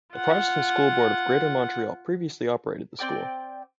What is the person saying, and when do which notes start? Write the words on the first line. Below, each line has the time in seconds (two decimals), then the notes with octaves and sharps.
The Protestant School Board of Greater Montreal previously operated the school.
0.15 F4 F#5
2.99 C4 D5 G5 D6